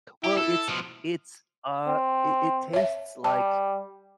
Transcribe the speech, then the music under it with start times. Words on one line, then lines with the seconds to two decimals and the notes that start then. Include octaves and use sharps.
Well, it’s it’s, ah, it it tastes like,
0.24 E4 G4
0.37 A4
0.68 B2 F3
1.87 C4
2.73 C#5 E5
3.24 G3 A5